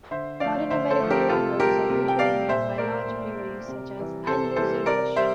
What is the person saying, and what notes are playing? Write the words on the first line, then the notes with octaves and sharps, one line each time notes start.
Modern American lagers are usually made by large breweries such as Anheuser-Busch.
D3 C5 E5
F3 A3 D5 F5
D3 C5 E5
A4 C5
F3 A3
G4 A#4
C3 F4 A4
G3 G4 A#4
C3
G5
G3 D5 F5
A#2 C5 E5
A3 A#4 D5
A#2
A3
C3
E3 G3
C3 A4 C5
E3 G3 A4 C5
C3 A#4 D5
G3 C5 E5